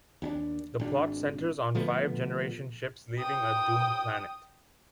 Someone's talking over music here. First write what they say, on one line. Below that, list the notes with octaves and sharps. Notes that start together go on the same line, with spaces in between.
The plot centers on five generation ships leaving a doomed planet.
D#2 C#4 D4
G#1 D4
D3 F3 A3 B3
G5 D#6